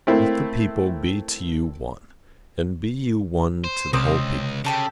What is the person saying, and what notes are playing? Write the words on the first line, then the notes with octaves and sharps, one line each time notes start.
Let the people be to you one, and be you one to the whole people.
A3 A#3 C4 E4
C5
C#2 C3 C4 C5 D6 D#6
C#3 G4 A4 G5